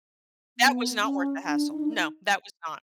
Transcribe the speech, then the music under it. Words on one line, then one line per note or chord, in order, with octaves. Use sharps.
That was not worth the hassle. No. That was not.
B3
C#4
D4
D#4
D4
D#4